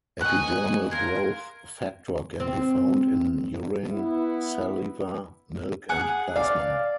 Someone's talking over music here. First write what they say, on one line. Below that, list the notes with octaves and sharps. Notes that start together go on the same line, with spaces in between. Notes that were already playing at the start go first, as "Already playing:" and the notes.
Epidermal growth factor can be found in urine, saliva, milk, and plasma.
C#5 D#5 F#5 G#5 F#6
A#4 F5 C6 G#6
C4
B3 E4
G#4 F#5
D5 F5